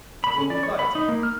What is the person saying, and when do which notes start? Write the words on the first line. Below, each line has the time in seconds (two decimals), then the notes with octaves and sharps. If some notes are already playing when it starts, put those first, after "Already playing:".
There will be fighting.
0.24 B5
0.38 C#4
0.50 D5
0.63 C#5
0.79 B5
0.95 D#4
1.09 A#3
1.23 F6